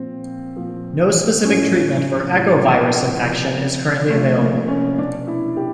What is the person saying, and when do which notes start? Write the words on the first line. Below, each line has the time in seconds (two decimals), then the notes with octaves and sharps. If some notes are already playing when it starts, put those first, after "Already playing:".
No specific treatment for echovirus infection is currently available.
Already playing: A#2 F3 C4
0.56 A#2 F3
1.44 A2 F3 C#4
2.33 A2 F3
3.21 C3 F3
4.09 C3 F3 A3
4.39 A#3
4.68 C#4
4.98 B2 D4
5.27 E4
5.57 G4